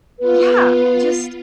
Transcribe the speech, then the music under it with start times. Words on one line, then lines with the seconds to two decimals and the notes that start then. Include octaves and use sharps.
yeah, just
0.20 B3 F4 B4